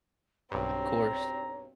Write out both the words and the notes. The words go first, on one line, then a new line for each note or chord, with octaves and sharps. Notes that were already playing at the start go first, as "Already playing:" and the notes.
Of course.
B1 G2 C4 C#5 A#5